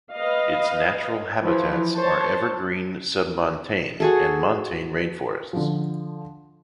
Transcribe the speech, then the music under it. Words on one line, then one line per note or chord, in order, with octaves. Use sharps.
Its natural habitats are evergreen submontane and montane rainforests.
B4 D#5 F5
E3 F3 E4
C5 C#5 A5
F#4 G#4 A4
D3 F3